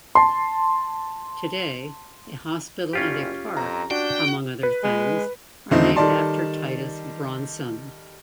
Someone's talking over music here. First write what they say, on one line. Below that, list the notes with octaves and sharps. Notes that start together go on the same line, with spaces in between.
Today, a hospital and a park, among other things, are named after Titus Bronson.
A5 C6
F#1 C#4 F4 G4
F2 A#5
D4 F#4 G5
B4
G#3
E2 D3 D#3 A3 C4 D#4
D#3 G3 A4 D5 A5 C6